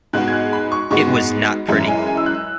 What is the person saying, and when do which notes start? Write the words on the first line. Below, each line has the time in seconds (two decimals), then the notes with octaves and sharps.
It was not pretty.
0.13 G#2 G#3 B3 F#4 F#6
0.28 G#6
0.33 F#6
0.53 B5
0.72 C#6
0.91 G#2 G#3 B3 F#4 C#6
1.68 F#2 E3 G#3 E4
1.88 G#5
2.07 G#5
2.17 E6
2.26 F#6